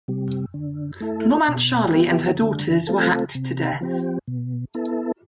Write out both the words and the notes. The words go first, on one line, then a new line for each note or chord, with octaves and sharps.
Nomantshali and her daughters were hacked to death.
C3 G3
D3
A3 E4 A4
B2
B3 E4 G4
D3
A3 C4 F4 A4
C3
F3 C4 G4
B2
B3 E4 A4